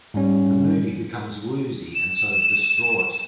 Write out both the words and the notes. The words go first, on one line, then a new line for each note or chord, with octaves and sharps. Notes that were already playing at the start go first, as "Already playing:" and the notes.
The movie becomes woozy and sort of distraught.
G#2 G3 C#4
E7